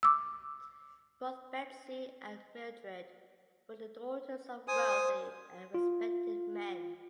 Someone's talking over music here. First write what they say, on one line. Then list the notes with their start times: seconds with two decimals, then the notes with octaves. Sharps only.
Both Betsy and Mildred were the daughters of wealthy and respected men.
0.03 D6 E6
4.68 C5 G#5 D#6
5.74 F4